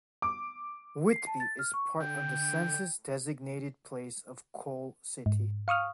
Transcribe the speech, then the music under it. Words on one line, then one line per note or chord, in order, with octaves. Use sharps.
Whitby is part of the census-designated place of Coal City.
D6
C7
A5
A6
F6
C#6
D3 G5
G#2
F5 C#6 D#6 F6